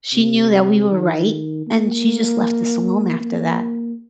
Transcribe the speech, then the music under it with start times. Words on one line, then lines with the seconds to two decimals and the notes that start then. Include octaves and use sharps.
she knew that we were right and she just left us alone after that.
0.13 C3
0.91 D#3
1.67 A#3
3.21 A#3